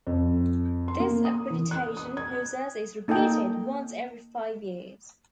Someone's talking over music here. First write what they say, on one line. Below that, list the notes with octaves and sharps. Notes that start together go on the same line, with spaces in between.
This accreditation process is repeated once every five years.
F2
C6
A#3
D#6
E3
F#6
D#6
G#6
A#3 D#4 A4 D#5 G5